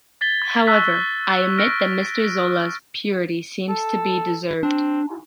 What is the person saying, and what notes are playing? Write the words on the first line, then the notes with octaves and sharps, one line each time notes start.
However, I admit that Mister Zola’s purity seems to be deserved.
G#6 A6 B6 G7
C#6 E6 F#6 B6
F6 A#6 D7
A4
C4 D4